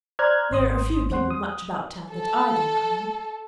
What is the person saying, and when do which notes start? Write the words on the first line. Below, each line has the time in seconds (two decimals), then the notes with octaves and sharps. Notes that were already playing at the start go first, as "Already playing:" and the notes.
There are few people much about town that I do not know.
0.19 C5 D5 A#5 F6 F#6 G#6
0.51 G#1 C6 D#6
1.09 E2 C4 C5 F#5 C6
1.30 D#6
2.14 A4